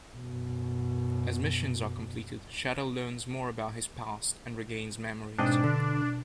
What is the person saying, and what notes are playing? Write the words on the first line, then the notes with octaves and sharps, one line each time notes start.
As missions are completed, Shadow learns more about his past and regains memories.
F#2 B2
G#2 B2 C4 D4 D#5
D3